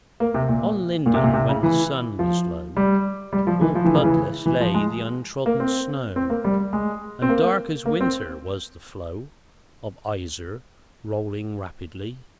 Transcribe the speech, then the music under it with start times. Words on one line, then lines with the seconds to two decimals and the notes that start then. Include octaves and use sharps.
On Linden, when the sun was low, All bloodless lay the untrodden snow; And dark as winter was the flow Of Iser, rolling rapidly.
0.20 A#3
0.34 C3
0.49 A#2
1.06 A#2
1.14 C3
1.24 A#2
1.34 C3
1.49 C#3
1.63 E3
2.19 F3
2.77 G3
3.33 G3
3.47 F3
3.61 E3
3.75 F3
3.85 E3
3.95 C#3
4.04 E3
4.46 E3
4.60 F3
4.74 G#3
5.46 A#3
5.60 C4
6.16 C4
6.30 A#3
6.44 G3
6.73 G#3
7.22 C4
7.29 A#3
7.86 A#3
8.01 C4